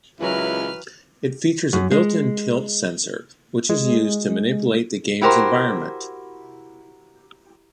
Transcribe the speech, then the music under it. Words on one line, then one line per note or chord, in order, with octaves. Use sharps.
It features a built-in tilt sensor, which is used to manipulate the game's environment.
C#2 E3 F#3 E4 A#4 B4 F6
F#2
G#3
G#3
E4 F#4 G4 A#4 C5